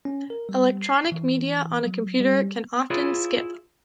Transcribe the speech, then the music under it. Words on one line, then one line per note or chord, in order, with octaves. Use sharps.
Electronic media on a computer can often skip.
C#4
A#4
G3
C7
E3
F#3
G3
E4 F4 G#4 B4 C#5 D5